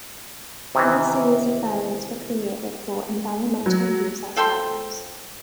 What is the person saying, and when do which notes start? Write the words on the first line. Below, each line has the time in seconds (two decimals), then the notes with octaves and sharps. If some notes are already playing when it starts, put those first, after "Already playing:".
Three series of variants were created for "Environmental User Trials".
0.75 C3 D#3 E3
3.66 F#3
4.36 F3 A4 G5 C6